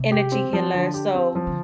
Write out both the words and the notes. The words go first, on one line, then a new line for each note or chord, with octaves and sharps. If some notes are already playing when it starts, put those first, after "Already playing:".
energy healer, so
Already playing: C3
G4
C4
F3
D3
G4
C4
F3
D3